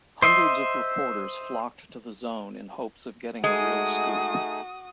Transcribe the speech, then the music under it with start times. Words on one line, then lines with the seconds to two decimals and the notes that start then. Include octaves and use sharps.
Hundreds of reporters flocked to the zone in hopes of getting a real scoop.
0.22 C5 D#5 E5 C6
3.44 G#3 A3 D#4 F#4 G#4 D#6